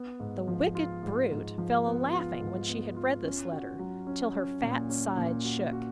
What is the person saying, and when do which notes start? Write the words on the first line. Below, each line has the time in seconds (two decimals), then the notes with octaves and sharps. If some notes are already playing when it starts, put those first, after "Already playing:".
The wicked brute fell a laughing, when she had read this letter, till her fat sides shook.
Already playing: B3
0.20 G#2
0.48 F3
0.75 F4
1.03 G#2
1.31 G#2
1.58 F3
1.86 B3
2.13 F4
2.41 G#2
2.69 B3
2.96 F4
3.24 C#4
3.52 F#4
3.79 F#3
4.07 C#4
4.35 C#4
4.62 A#2
4.89 C#4
5.17 A#2
5.45 F#4
5.72 F#4